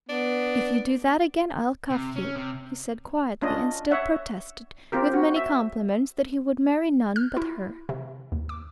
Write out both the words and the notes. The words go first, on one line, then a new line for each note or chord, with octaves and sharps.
"If you do that again, I'll cuff you," he said quietly; and still protested, with many compliments, that he would marry none but her.
B3 D4
C3
C#4
C3
C#4 D4 F4 D#5
C#5 E5 F#5
C4 F4 G4 A#4
F#4
E5
F6
E4
C3
D#2
D6